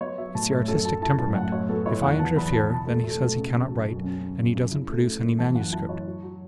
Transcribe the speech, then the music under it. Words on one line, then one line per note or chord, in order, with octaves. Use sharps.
It's the artistic temperament. If I interfere, then he says he cannot write and he doesn't produce any manuscript.
B3 C#5
F#3 E5
A2 A5
A2
F#2 A4
F#3 A5
E4 A5
F#2 A5
A2 F#5
F#3 C#5
B3 A4
E4 C#5
E2 F#5
B3 A5
E2 B5
B2 A5
B2 A5
A3
A3
B2
C#3
C#3
F#3
F#2
C#4
C#4
C#3
C#3
E4
A3
E4
A2
E3 A5
F#2 F#5
E4 A5
E4 C#5
F#3
F#3